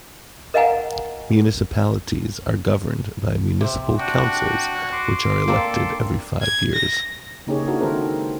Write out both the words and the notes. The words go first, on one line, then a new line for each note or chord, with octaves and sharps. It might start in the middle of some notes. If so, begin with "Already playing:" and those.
Municipalities are governed by municipal councils which are elected every five years.
A#4 D#5 F5 F#5 G#5 A#5
C3 C4
D4 F#4 G5
C6 D6
A#3 C4 D4 A4
G#6
A#6
C#3 A#3 D#4 G4 G#4 C#5
D4 E4 F#4 A4 A#4
D#3 G#3 C4 A4 A#4 C5